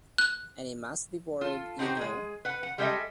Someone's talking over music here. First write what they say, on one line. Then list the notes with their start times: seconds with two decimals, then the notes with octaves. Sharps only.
And he must be buried, you know.
0.18 F#6
1.41 F4 A4
1.79 C4 D#4 F#4 G4 C5
1.97 G#3 G#4
2.45 B4 F#5
2.63 F#5
2.78 G3 G#3 G4 A4 D#5 E5